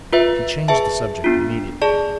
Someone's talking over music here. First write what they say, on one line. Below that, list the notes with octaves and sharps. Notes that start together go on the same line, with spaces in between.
She changed the subject immediately.
F4 B4 E5
G#4 B4 E5 A5
B3 D4 F4
G#4 D5 A5